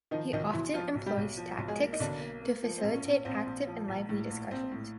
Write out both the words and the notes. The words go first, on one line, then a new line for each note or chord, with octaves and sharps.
He often employs tactics to facilitate active and lively discussions.
D#3 F3 D#4
B1 D#3 D#4
B1 E3 E4
F3 F4
B1
G3 G4
B1
F3
B1
G#3 G#4
A#3
D#4
B1 D3 D4
A#3
A#3
F3
C4
A#1
C#4
A#1
C#4
A#1 C4
A#1
F3
A#1
A2
A#1
A#1 C4
A2